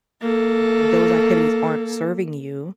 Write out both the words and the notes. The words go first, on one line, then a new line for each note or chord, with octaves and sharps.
th those activities aren't serving you,
A#3 A4